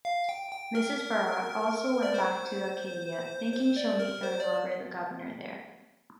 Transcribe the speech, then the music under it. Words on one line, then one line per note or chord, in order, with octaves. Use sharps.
Mrs Barrat also went back to Acadia, thinking she'll meet her lover the governor, there.
F5
G5
G5
A#4
D5
C5
C5
D5
A#4
C5
D5